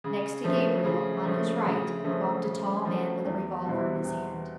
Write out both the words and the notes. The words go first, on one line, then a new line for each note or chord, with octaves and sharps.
Next to Gabriel, on his right, walked a tall man with a revolver in his hand.
C#3
F3 A3 C#4
C#3
F3 A3 C#4
C#3
F3 A3 C#4
C#3
F3 A3 C#4
E2
B2 G3 C4 E4
E2